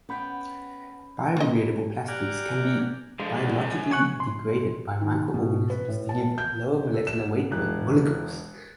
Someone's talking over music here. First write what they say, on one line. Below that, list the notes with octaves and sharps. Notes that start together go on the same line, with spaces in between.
Biodegradable plastics can be biologically degraded by microorganisms to give lower molecular weight molecules.
B3 C#4 G5 B5 G6
A#3 F4 D#5
G4 D5 F#5 G#5 A#5 F6
D3 F3 G#3
E2
F#2
G#5 C#6 F#6
C6
D#3
B2
B4
A2
A5
G6
A4
E7
E1 G#4 F#6